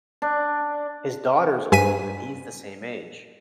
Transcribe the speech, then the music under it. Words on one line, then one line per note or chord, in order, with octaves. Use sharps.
his daughter's old and he's the same age.
D4
G2 G#5 B6 D#7